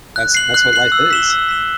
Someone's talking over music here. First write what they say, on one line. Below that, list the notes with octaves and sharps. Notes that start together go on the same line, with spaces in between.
that's that's what life is.
F#6
C7 F#7
F#6
C7 F#7
E6
B6 E7 G7
E6
B6 E7 G7